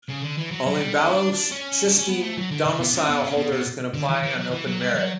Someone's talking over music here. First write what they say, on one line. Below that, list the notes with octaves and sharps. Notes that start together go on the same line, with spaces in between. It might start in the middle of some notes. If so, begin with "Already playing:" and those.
Only Balochistan Domicile holders can apply on open merit.
C#3
D3
E3
F#3
F#3
G3
C#4
E4
D4
D4
C#4
D4
C#4
B3
A3
F#3
D3
C#3
B2
C#3
B2
C#3
B2
B2
D3
E3
E3
F#3
E3
F#3
G3
F#3